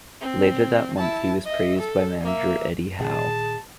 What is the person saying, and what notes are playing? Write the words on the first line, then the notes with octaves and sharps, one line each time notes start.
Later that month he was praised by manager Eddie Howe.
C4
E4 A5
D#5 E5
A4
A#3 E5
A#2 D#3 C#4 G#4 A5